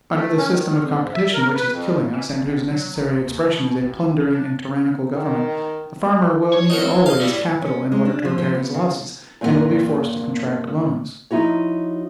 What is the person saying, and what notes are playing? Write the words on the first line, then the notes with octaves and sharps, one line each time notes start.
Under the system of competition which is killing us, and whose necessary expression is a plundering and tyrannical government, the farmer will need always capital in order to repair his losses, and will be forced to contract loans.
A3
C#4
D#3
D#3
F2
G#2
E5
A#4
B4
F2
E3
D#1
A1
F#3
G#1
D#2
B2
A1
D4
D#3
C#5
D#4 F#4 A#4
C4
D#5 F5
G3 A3 E4
C#4
G#3
D4
F3
F3
B3
C#3
G2 A#2 C4 D#4 A#4 F#5
F3 D#4 E4 F#4 C#5